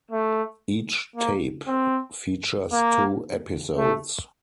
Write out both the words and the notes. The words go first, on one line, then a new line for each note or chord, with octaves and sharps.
Each tape features two episodes.
A3
A#3
C4
A#3
A3